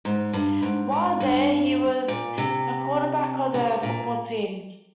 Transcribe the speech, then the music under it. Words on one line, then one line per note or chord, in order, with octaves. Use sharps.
While there, he was the quarterback of the football team.
G#2
G2
G#2
G#2
G2
A#2
C3
C3
A#2